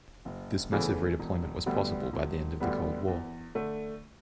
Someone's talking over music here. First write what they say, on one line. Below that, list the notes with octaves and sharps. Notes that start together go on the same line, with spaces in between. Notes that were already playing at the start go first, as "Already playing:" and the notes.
This massive redeployment was possible by the end of the Cold War.
F#1
E2 C#3 E3 A3
E1
D2 D3 G3 B3
E1
D2 D3 G3 B3
E2
D3 A3